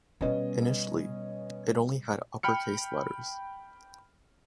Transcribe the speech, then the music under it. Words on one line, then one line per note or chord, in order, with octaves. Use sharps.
Initially, it only had upper-case letters.
B2 G3 B3 C#4 D#5
G5 B5 F6 C#7